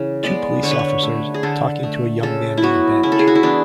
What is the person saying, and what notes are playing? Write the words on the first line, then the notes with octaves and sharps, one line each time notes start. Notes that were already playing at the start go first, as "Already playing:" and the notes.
Two police officers talking to young man on a bench.
Already playing: C#3 E3
G#3 B3 D5
D3 C#5
B4
C#5
A3
G#4
D3 A4
A3
C#3 A4
E4
F#3 B3 F#4
C#3 E4
A4
G#4
F#4
E4
E3 B3 D4